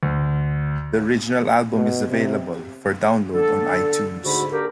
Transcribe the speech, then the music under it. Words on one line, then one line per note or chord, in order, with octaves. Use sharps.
The original album is available for download on iTunes.
D2
B2
C3
D3 A4
D2 G#2 D3 F#4 B5
D3 A#3 G4 A#4